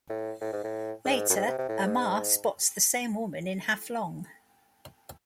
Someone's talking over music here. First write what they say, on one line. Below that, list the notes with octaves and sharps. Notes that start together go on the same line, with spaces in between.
Later, Amar spots the same woman in Haflong.
A2
A2
G#2
A2
G#2
F#2
G#2
C3
C3
A2
G#2